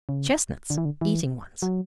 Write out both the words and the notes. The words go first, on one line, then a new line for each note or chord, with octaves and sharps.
"Chestnuts--eating ones."
C#3
D3
E3
D3
E3
F#3